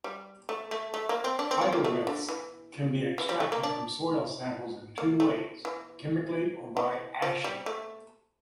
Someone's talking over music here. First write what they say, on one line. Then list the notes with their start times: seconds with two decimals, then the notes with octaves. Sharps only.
Phytoliths can be extracted from soil samples in two ways: chemically or by ashing.
0.04 G3
0.49 A3
0.71 A3
0.94 A3
1.09 A#3
1.24 C4
1.39 D4
1.51 C4
1.61 C4
1.72 A#3
1.84 A3
2.07 D3
2.29 E3
3.18 E3
3.29 G3
3.40 A3
3.52 A#3
3.63 D4
4.98 A#3
5.20 A3
5.65 E3
6.77 E3
7.22 F3
7.44 G3
7.66 A3